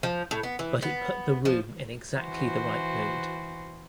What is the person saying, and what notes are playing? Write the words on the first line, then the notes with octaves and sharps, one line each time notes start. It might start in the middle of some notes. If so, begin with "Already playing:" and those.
But it put the room in exactly the right mood.
F3
A2
B3
E3
B3
F3
E3 F#4 C5